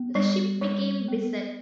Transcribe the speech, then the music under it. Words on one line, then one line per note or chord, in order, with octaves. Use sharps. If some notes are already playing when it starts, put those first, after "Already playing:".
The ship became beset.
Already playing: B3
G3
G3
B3